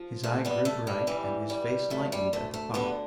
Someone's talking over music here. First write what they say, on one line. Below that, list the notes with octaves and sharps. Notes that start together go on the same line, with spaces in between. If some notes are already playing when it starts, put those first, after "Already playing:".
His eye grew bright, and his face lightened at the thought.
Already playing: F3
G2 A3
G3 B3
G2 A3
G3
E3 G3
G3
D2 A3
G3
D2 A3
A3
D3 G3 B3